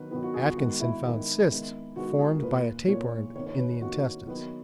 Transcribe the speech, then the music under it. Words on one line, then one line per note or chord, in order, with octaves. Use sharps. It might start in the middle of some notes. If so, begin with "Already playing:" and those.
Atkinson found cysts formed by a tapeworm in the intestines.
Already playing: D#3 F#3 B3 B4
D#3 F#3 B3
F#4
G#4
F#4
D#3 G#3 B3 F#4
E4
D#3 G#3 B3
D#3 G#3 B3
D#3 G#3 B3 F#4
F#4
G#4
A#4
A#2 A#3 B4
A#2 A#3 C#5
D#3 A#3 C#5
C#5
B4
D#3 A#3 F#4
D#3 F#3 B3